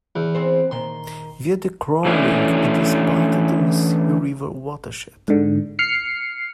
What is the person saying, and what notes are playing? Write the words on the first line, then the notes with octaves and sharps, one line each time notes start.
Via the Crow Wing, it is part of the Mississippi River watershed.
E2
C4 G#4 C5
A#2 D#3 C6
E3 A3 C#4 D4
G#2 D3
F6 C7 C#7